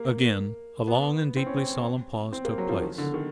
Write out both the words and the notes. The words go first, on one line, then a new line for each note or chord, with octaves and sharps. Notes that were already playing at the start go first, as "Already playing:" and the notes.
Again, a long and deeply solemn pause took place.
Already playing: A#3
B3
C4
C#4
C4
C4
A#3
F#3
F3
D#3
D3
D#3